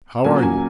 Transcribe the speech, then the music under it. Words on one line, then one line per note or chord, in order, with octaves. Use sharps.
"How are you?"
A#2 F#3 A#3 C#4 G#5
G#5